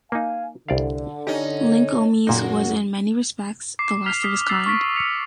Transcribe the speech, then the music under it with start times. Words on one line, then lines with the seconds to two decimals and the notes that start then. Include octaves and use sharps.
Linkomies was in many respects the last of his kind.
0.12 A#3 D#4 F5 G#5
0.69 C2 D3 D5 F5
1.27 C#4 D#4 G4
2.27 F#2 A#2 C#3 D#4 F#4
3.79 D6 C7
4.06 F6 B6 F7
4.23 D#6 B6 C7
4.49 E6 A6 C7
4.66 C#6 A6 B6 D7
4.96 A6 C#7 F7